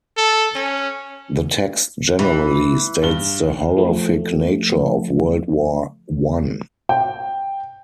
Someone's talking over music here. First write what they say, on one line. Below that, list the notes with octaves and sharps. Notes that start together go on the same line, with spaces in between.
The text generally states the horrific nature of World War One.
A4
C#4
E3
G2 G7
F3 A3
G5